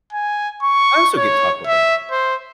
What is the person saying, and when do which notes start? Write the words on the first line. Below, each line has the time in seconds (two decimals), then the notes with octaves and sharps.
I also get Taco Bell.
0.13 G#5
0.63 C#6
1.17 C#5
1.67 E5
2.11 C5